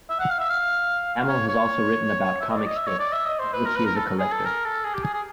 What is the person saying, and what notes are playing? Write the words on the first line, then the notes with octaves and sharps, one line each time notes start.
Hamill has also written about comic strips, of which he is a collector.
E5
F#5
F5
E5
F5
C#5
C#5
E5
D#5
D5
D#5
E5
C#5
D5
E5
D#5
C5
B4
A#4
B4
A#4
A4
G#4
A4
A#4
A4
G#4
G4
G#4
G#4